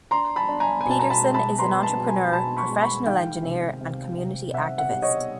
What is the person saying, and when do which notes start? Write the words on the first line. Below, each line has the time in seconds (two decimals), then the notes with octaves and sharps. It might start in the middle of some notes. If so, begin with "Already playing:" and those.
Peterson is an entrepreneur, professional engineer and community activist.
0.11 D4 A#5 C6
0.36 A5 B5
0.49 D4
0.60 G#5 A#5
0.81 B2 G#5
0.91 A5
0.99 A#5
1.10 A5 B5
1.22 G#3
1.34 A5 B5
1.58 B3 A#5 C6
1.83 A5 B5
1.96 B2
2.08 G#5 A#5
2.33 B2 A5 B5
2.57 B5 C#6
2.69 G#3
2.82 B5 C#6
3.06 D#3 F5 G5
3.43 C3
3.81 C3
4.18 C3
4.53 C3 E5 F#5
4.78 E5 F#5
4.90 G3
5.02 C#5 D#5